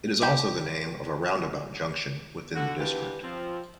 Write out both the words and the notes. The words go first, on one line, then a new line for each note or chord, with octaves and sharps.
It is also the name of a roundabout junction within the district.
G4 G5
D3 F#4
B2 E3 D4 F4 G4 B4
F3 C4